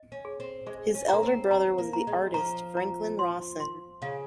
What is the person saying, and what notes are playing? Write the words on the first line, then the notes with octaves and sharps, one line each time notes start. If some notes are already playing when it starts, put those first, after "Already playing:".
His elder brother was the artist Franklin Rawson.
Already playing: D#5
C#4
G#4
C4
G#3 G#4
C#4
A#3 A#5
C4
C4 A#5
A#3
A#5
G#3
F3 A#5
A#5
C6
C6
C#3 F5